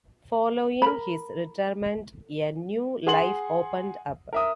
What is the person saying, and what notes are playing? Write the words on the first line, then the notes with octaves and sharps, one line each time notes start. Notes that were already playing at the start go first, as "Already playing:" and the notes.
Following his retirement, a new life opened up.
A#4 B5
G#4 F#5 C6 F#7
A#4 E5 D#6